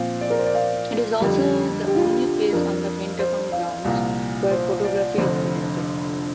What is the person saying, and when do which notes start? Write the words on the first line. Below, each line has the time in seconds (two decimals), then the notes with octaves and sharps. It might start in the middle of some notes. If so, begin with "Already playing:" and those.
It is also the only place on the Pentagon grounds where photography is permitted.
Already playing: A#2 F3 C4 F5
0.21 D5
0.30 A#4
0.39 C5
0.46 D5
0.55 F5
1.20 F2 D3 G3 G4
1.86 G4
1.96 F4
2.05 G4
2.53 F2 F3 D4 A#4
3.19 C5
3.52 F5
3.85 C2 A#2 F3 A#3
4.51 C5
4.84 D5
5.18 F1 F2 D3 C5